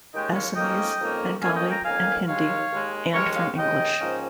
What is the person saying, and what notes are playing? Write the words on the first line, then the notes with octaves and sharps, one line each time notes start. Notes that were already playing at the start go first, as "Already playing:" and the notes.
Assamese, Bengali and Hindi, and from English.
D#2 D#3 G#3 C#4 D#5 G5
C#5 F5
F2 D#3 A#3 C#4 D#5 G5
F2 D#3 A#3 C#4
F2 D#3 A#3 C#4 F5 G#5
D#5 G5
G5 A#5
F2 D#3 A#3 C#4 F5 G#5
D#2 D#3 G#3 C#5 F5
D#2 D#3 G#3
D#2 D#3 G#3 A#4 C#5
C#5 F5
D#2 D#3 G#3 D#5 G5
G#2 F3 A#3 C#4